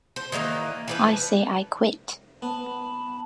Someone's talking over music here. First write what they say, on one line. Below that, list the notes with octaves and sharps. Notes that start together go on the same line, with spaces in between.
I say I quit.
C5
D#3 E3 G#3 A#3
E3 F3 B4
B3 A5 B5